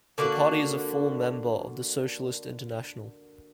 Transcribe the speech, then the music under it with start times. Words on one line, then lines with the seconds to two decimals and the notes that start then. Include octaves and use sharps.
The party is a full member of the Socialist International.
0.18 D3 A#3 D4 F#4